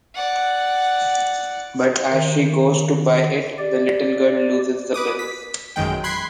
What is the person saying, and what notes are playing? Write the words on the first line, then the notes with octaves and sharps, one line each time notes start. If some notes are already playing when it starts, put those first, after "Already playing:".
But as she goes to buy it, the little girl looses the bill.
D5 F#5
D#3
G4 D5
B4 D6 D#6
B6
A1 F#2 D#3 G#3 G5
B5 C6 F#6 G#6 C7